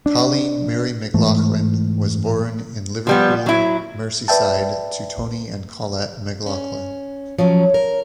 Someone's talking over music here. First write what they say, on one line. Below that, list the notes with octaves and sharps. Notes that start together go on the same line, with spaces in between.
Coleen Mary McLoughlin was born in Liverpool, Merseyside, to Tony and Colette McLoughlin.
D4
G#2 E3 A3
F3 G3 B3
F#3 E4
B4 D5 E5 G5 A5
C#4
F3 F#3 C#4 C#5
A#4